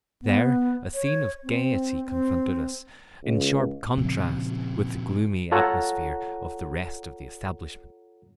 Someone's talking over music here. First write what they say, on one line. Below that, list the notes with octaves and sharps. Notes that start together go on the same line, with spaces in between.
There a scene of gayety confronted us, in sharp contrast with the gloomy atmosphere of the rest of the establishment.
B3
C#5
C4
C4
C#2
A#2 C#3 F3 C4
F4 A4 C#5 F#5 A#5